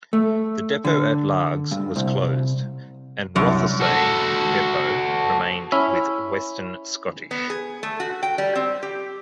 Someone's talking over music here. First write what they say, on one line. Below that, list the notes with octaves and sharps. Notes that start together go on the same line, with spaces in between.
The depot at Largs was closed, and Rothesay depot remained with Western Scottish.
A3
D3
G2
C2
C2 F#2
F#4 A4
C#4 E4 E5
B3
G#4
A3
F#4
G5
G3
C4
G4